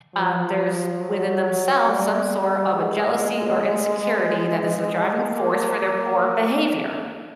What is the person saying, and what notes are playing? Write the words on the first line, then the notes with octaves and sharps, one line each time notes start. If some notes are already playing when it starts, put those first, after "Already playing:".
um, there's within themselves some sort of a jealousy, or insecurity that is the driving force for their poor behavior.
F3
F#3
G3
G#3
A#3